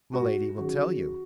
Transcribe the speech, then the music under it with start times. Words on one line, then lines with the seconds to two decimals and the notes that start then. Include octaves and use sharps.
"Milady will tell you."
0.14 G#2 F#4
0.57 D#3 F#3 C#4 F#4 G#4